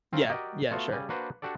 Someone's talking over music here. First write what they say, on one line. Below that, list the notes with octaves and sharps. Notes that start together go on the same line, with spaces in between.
Yeah, yeah, sure.
C4 C#4 F4 A#4
F#4 G4 A#4 D5 D#5
A3 B3 F4 F#4
C#3 G3 G#5
A#3 D4 F#4 B4 C5
D4 F#4 G4 A4 D5